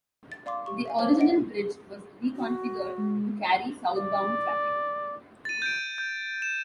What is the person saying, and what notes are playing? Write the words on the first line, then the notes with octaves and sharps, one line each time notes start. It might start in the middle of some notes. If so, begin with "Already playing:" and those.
The original bridge was reconfigured to carry southbound traffic...
A6
D5 F5 C6 D6
G4 C#6
E5 F5 G#5
C5 C#5 A5 D6
D#5 E5 F#5 D7
F#4
G#3
D5
A6 D#7
G6 D7
G6
E7